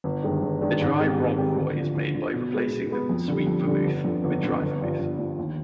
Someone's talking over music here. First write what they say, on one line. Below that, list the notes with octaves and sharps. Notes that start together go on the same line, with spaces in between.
A "dry" Rob Roy is made by replacing the sweet vermouth with dry vermouth.
G1
G2 D#3 G#3 D4
G1
G2 D#3 G#3 D4
G#2
D#3 G#3 C4 G4
G#2
D#3 G#3 C4 G4
D2
D3 F3
D2
D3 F3
B2
G#3 B3
B2
G#3 B3
F2
D3 G3
F2
D3 G3
G1
F2 D3
G1
F2 D3
G1
G2 F3
G1
G2 F3
D#2